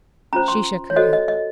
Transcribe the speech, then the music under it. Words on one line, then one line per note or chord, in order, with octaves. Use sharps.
She shook her head.
C#4 F4 C5 A#5
C6
C#5
F#4 A4 C5 D#5
D#5
D#5